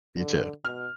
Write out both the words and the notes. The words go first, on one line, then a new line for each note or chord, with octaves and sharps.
You too.
D3
B2 F6